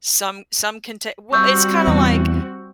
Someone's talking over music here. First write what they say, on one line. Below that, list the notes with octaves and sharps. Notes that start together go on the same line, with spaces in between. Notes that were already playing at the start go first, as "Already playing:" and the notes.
some some can ta well, it's kinda like,
G3 C4 F#4 C#6 E6 G6
E2